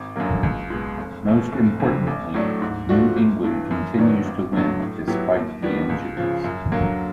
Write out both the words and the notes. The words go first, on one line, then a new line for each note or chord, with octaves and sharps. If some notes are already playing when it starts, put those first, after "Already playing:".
Most importantly, New England continued to win despite the injuries.
Already playing: G#1
F#2 D3 F#3 A#3
C#2
B2 G#3
F1
E2 B2
F1
F2 D3 G3 C4
A1
A2 F#3 A3 D4
G#2
F3 A3 D4 F#4
G1
G2 E3
F#2
D#3 F#3 B3 D4
G#1
G2 D3 F#3
A2
F#3 B3 E4 G4
D#2
D#3 G3 B3 D4
C#2
C#3 F3
F#2
D3 F#3 A#3